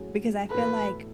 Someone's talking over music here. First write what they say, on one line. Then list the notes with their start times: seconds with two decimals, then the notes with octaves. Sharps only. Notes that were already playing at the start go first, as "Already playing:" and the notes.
because I feel like
Already playing: A2 F#3 C#4 G#4
0.50 A2 E3 B3 F#4 A4 B4